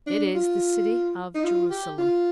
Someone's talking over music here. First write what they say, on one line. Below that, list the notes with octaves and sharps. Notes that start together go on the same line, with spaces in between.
It is the city of Jerusalem.
D4
F4
D#4
F4
G4
F4